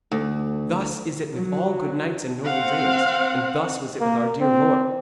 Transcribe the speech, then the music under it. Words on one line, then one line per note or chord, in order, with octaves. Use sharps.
Thus is it with all good knights and noble dames, and thus was it with our dear Lord.'
D2
F#3
C4 F5 F#5
A#3
C4